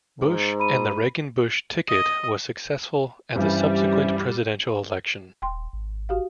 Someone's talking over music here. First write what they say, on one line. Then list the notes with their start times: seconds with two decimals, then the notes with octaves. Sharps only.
Bush, and the Reagan-Bush ticket was successful at the subsequent presidential election.
0.20 G#2
0.59 B5 D#7
1.88 D#5
3.36 G2 E3 G3 C#4 C5 E5
5.42 D#1 G5 C6
5.73 G#1
6.09 F#4 G4 F5